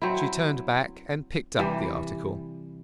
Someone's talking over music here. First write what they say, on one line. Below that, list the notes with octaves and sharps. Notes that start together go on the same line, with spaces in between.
She turned back and picked up the article.
F#3 C4 E4
C3 E3 G3